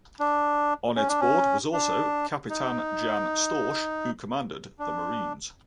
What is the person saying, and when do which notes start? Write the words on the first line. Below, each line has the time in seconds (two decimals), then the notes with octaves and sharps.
On its board was also Capitan Jan Storch who commanded the marines.
0.20 D4
0.96 C#4
1.09 D4
1.21 C#4
1.73 D4
2.50 D#4
4.79 D4